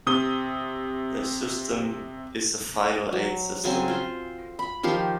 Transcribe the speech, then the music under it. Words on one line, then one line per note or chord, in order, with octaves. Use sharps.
The system is a final eight system.
C3 D#6 G7
F#3
C#3 F#3 C4 G#5
F4 C5
B5
D#3 F3 G4 F5